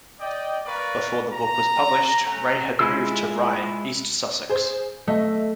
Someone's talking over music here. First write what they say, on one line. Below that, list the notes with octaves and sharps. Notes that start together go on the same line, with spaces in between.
Before the book was published Ray had moved to Rye, East Sussex.
D5 D#5 G5
A#3 A#4 B4 D5 F5 C#6
A#5
A3 C#4 F#5 A#5
G#3 E4 F4 G#4 E6
G#4 C5
A3 D#5 E5